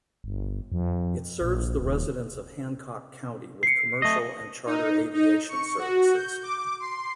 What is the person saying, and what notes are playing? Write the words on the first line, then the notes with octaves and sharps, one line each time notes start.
It serves the residents of Hancock County with commercial and charter aviation services.
G1
F2
A#1
D#1
C7 C#7
A3 D#5
D#4
D#4
C#6
F#4
G6
D6
C6